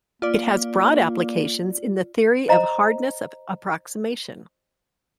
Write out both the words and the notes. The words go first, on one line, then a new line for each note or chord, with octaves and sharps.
It has broad applications in the theory of hardness of approximation.
A#3 F4 D5
C5 D#5 A#5